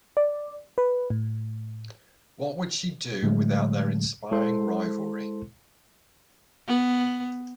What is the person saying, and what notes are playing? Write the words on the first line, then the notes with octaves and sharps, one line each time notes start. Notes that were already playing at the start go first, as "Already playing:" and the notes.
What would she do without their inspiring rivalry?
D5
B4
A2
A2 D3 F#3 G#3 A3
G#3 E4 A4 C5 C6
B3